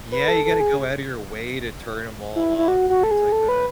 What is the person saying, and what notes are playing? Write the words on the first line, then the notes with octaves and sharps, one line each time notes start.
Yeah. You gotta go outta your way to turn 'em all off and things like that.
B4
A4
A4
G#4
E4
E4
F#4
F#4
A4
G#4
A4
B4